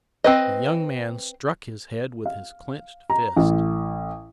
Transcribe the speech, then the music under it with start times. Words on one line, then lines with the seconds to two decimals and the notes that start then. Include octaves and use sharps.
The young man struck his head with his clinched fist.
0.24 C4 B4 D#5
2.25 F5
3.10 A#5
3.36 A1